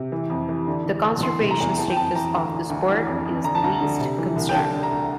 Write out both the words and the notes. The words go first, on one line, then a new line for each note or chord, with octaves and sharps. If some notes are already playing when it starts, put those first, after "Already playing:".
The conservation status of this bird is Least Concern.
Already playing: C3
E3
F2
E3
D3
D3
D2
E3 C6
C3
A#5
E2
E3 A5
G5
F2 A5
E3 A#5
D2
D2
D2
E3
F2
F2
D3 A#5
A5
D2 A#5
D3
C3
E3
C2
G5
D3 A5
D3
A#5
D2